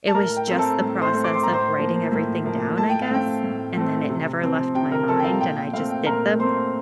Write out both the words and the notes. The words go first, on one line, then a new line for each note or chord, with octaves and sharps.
it was just the process of writing everything down, I guess, and then it never left my mind, and I just did them
A5
A2 A#4 A#5
G5
A3 C4
A4 A5
A2
C5 C6
A3 C4
D6
C6
A2 A#5
C5 C6
F3 A#3
A2
F3 A#3
A2 A5
G5
F5
A3 C4 G5
A2
A3 C4
C3
F3 C4
C3 G5
A#4 A#5
F3 C4 A4 A5
G5
F5
A#2 G5
G5
A3 C4 F5
G5
A#2 A#4 A#5
A3 C4 C5 C6